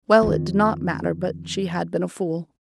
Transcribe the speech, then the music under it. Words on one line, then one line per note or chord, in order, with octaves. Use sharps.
Well, it did not matter, but she had been a fool.
F2 D#3